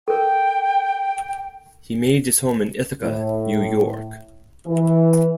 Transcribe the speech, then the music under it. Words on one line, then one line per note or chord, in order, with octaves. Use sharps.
He made his home in Ithaca, New York.
A4 A#4 G5
A2
E3